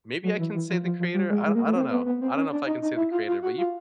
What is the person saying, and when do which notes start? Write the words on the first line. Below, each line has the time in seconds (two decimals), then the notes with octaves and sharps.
maybe I can say the creator? I I don't know. I don't know if I can say the creator, but you
0.23 F#3
0.39 E3
0.54 E3
0.69 F3
0.84 F3
0.99 F3
1.14 G3
1.30 G#3
1.46 G#3
1.55 A#3
1.66 A3
1.76 C4
1.91 B3
2.06 B3
2.21 C4
2.35 C#4
2.52 D4
2.66 D#4
2.82 D#4
2.96 E4
3.11 F4
3.27 F4
3.42 F#4
3.58 F4